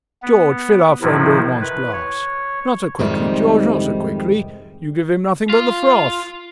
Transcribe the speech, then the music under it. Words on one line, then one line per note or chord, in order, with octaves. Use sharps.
George, fill our friend Urmand's glass; not so quickly, George, not so quickly; you give him nothing but the froth.
B3
A2 C3 D#3 F3 E4
B4
C#5
F2 G#2 C3 D#3 G3
F4